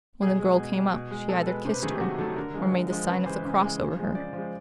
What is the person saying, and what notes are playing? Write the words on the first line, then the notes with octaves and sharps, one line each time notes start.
When the girl came up, she either kissed her, or made the sign of the cross over her.
B2 G#4
G#3
B2
G#3
B2
G#3
B2 A4
G#3 B4
C3 C5
B4
D#3 F#3 A3 G#4
G4
C3 F#4
D#3 F#3 A3 A4
D3 A#4
F3 G#3
D3
F3 G#3
C#3 B4
E3 G#3 C5
C#3
E3 G#3
C#3
F3 G#3
C#3 D5
F3 G#3